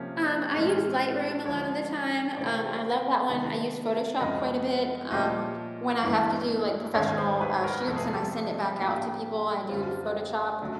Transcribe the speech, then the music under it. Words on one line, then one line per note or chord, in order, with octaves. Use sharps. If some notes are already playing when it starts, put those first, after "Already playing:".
Um, I use Lightroom a lot of the time, um, I love that one, I use Photoshop quite a bit, um, when I have to do, like, professional, uh, shoots, and I send it back out to people, I do Photoshop,
Already playing: C3 F3 A#3 C#4
A2 E3 G#3 C#4
D3 F3 G#3 C#5
C3 E3 A3 C4 D5
C3 D#3 G#3 B3 D4
F#2 C#3 F3 G#3 D#5
A#2 F3 A3 C#4 D#5
G2 E3 G#3 C#4
G#2 D#3 G#3 C#4 C#5
C5
B4
A#4
F2 C3 F3 A3 A4
G#4
A4
A2 F3 A#3 D4 G4
F#2 D3 G3 C4 F4
C#3 F#3 A3 D4